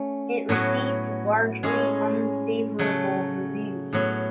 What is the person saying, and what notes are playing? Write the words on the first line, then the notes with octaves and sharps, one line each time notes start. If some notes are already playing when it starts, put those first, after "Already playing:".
It received largely unfavorable reviews.
Already playing: A3 C#4
A2 F#3 B3 F#4
A2 G#3 C#4 G#4
C#3 F#3 A3
A2 F#3 B3